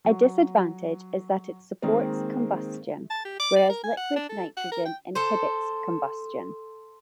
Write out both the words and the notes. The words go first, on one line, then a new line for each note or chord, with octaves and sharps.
A disadvantage is that it supports combustion, whereas liquid nitrogen inhibits combustion.
F#3
D#3 G#3 A#3 C4
A5
G4
D6
D5
A#4
G#5
F#5
D4
A4
F#5
A#4
G5
A4 C5